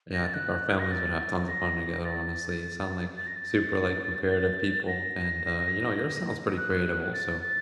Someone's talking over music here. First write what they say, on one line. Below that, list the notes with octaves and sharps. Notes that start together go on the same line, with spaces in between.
Yeah, I think our families would have tons of fun together, honestly, sound like, super, like, comparative people, and, uh, you know, yours sounds pretty creative also.
A#6
A6
F#6
A#6
A6
A#6
A6
A6
A#6
A6
A6
A#6
F#6
A6
A6